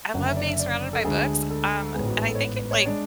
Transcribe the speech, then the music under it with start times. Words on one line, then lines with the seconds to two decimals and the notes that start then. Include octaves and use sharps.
I love being surrounded by books. Um, and I think it like
0.14 F#1 F#2 D3 F#5
0.26 E5
0.36 D5
0.48 E5
0.60 D5
0.93 A4
1.04 D2 D3 G#3 D4 G#4
1.50 A4
1.94 A1 G#2 G#3 B3 G#4
2.06 F#4
2.18 G#4
2.28 A4
2.35 C#5
2.40 B4
2.56 B4
2.71 C#5
2.85 G#3 D4 D5